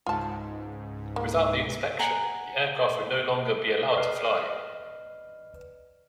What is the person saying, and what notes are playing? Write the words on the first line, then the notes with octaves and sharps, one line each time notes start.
Without the inspection, the aircraft would no longer be allowed to fly.
C#2 G#2 F4 A5
A#3
F#5 G#5 A#5
B4 D5 D#5 F6 C7